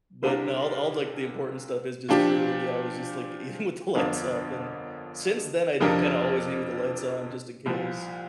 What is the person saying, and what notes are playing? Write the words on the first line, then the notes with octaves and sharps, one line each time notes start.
But, no, all all, like, the important stuff is just true. Yeah, I was just, like, eating with the lights off and since then, I do kinda always eat with the lights on just in case.
C2 C3 A#3 D4 A#4
A#2 F3 D4 G4
G1 F2 D3 A#3 D4
F2 C3 F3 D4 A#4
C2 A#2 F3